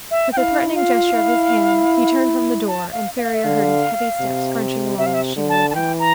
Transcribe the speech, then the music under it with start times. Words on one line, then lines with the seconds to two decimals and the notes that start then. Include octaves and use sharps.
With a threatening gesture of his hand, he turned from the door, and Ferrier heard his heavy step scrunching along the shingly path.
0.11 E5
0.32 G5
0.37 E4 F5
0.75 F4 F5
1.14 E4
2.68 A5
2.92 F5
3.18 F5
3.34 E5
3.44 D3 F5
4.20 C3
4.98 C3 E5
5.06 F5
5.14 E5
5.36 D3
5.49 A5
5.70 A5
5.74 E3 G5
5.99 A#5